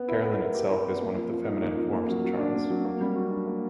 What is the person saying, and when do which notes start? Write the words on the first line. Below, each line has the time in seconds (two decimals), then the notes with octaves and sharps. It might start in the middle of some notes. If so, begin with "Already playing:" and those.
Caroline itself is one of the feminine forms of Charles.
Already playing: B3
0.08 E4
0.24 B3
0.39 A#4
0.55 G4
0.70 E4
0.85 B3
1.01 A#3
1.16 F3
1.31 F3
1.47 D#4
1.62 A#3
1.77 F3
1.93 A#3
2.08 F#3
2.24 F#3
2.39 D4
2.54 A#3
2.70 F#3
2.85 A#3
3.01 G3
3.16 F#4
3.31 D4
3.47 A#3